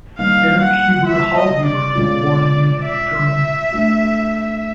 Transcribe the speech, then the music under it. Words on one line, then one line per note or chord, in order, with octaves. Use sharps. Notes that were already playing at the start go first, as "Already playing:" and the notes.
Erich Huber Hallhuber was born in Munich, Germany.
D#3 G3 A#3 D#4 F5
F#5
E5
D#5
D5
B2 G#3 C#4 F4
E5
A3 D4 F#4